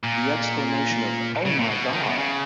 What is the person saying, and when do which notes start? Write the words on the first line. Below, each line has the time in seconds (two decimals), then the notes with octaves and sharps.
The exclamation of Oh my God!
0.03 A#2
1.46 C#3
1.59 A#2
1.69 B2
1.92 D#3
2.01 C#3
2.09 B2
2.18 C#3